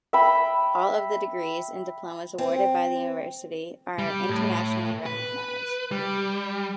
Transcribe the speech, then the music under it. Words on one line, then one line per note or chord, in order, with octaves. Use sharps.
All of the degrees and diplomas awarded by the university are internationally recognised.
E5 G5 B5
C4
G3
A2
B4
G3